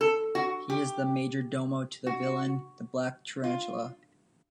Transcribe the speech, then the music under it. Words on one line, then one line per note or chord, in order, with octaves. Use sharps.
He is the majordomo to the villain the Black Tarantula.
A4
F#4
G4
F#4
F4